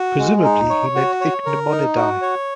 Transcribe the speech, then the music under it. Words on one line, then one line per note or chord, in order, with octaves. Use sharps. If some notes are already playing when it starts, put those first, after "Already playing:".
Presumably he meant Ichneumonidae.
Already playing: F#4
G#3
D#4
C#5
F#4
C#5
A#4
D#4
F#4
C#5